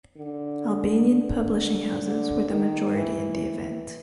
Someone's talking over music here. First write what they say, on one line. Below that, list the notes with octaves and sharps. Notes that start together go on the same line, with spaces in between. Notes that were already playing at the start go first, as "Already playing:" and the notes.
Albanian publishing houses were the majority in the event.
D3
D3
D3
D#3
E3